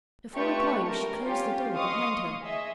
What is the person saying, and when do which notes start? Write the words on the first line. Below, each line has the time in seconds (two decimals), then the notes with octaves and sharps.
Before replying she closed the door behind her.
0.35 A3 F4 G4 B4 C#6
0.87 A#4
1.20 C#4 F4 G4
1.75 D#5 F5 C6 C#6 D#6
2.42 G#4 D#5 E5